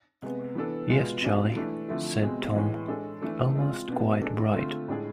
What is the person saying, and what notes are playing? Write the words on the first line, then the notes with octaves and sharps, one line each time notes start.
"Yes, Charley," said Tom, "almost quite bright."
C3 G#3 B3
E3 B3 D4 A4
B2 G#3 B3 F4
B2 G#3 D4
E3 A3 D4
D3 F3 A3 C4 E4
B2 G#3 C4
A2 E3 G#3
G#3 D4 A4
E3 A3 D4 A4
G#3 C4 F4
B2 B3 D4
G#3 D4 A4
D3 A3 C4 F4
A2 G#3 D4 G#4